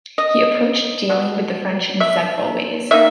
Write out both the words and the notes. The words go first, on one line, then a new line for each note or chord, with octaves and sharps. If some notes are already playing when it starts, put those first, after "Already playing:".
He approached dealing with the French in several ways.
D#5
B2 F#3
E5
D#3 A#3 D#4 E5